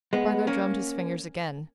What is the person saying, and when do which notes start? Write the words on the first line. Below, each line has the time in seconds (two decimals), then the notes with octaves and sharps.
Spargo drummed his fingers again.
0.13 G#3 B3
0.47 A#3 C#4